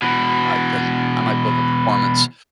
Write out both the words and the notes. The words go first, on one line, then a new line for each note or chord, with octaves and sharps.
uh, 'cause I might book a performance,
B2 E3